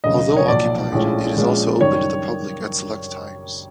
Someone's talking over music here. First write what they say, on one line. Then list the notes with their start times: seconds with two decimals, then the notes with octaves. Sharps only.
Although occupied, it is also open to the public at select times.
0.04 E1 D2 C#3 F#3 D#5
0.37 C#5
0.48 B1 A#2 F3 D5
0.92 A#1 A2 F3 G#3 C#4
1.36 A#1 A#2 F3 G#3 C#4
1.80 F#1 F#2 D#3 G3 C#5